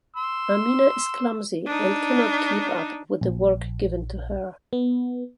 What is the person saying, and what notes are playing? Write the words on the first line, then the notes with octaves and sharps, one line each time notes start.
Amina is clumsy and cannot keep up with the work given to her.
C6 E6
D4 D#4
A#1
B3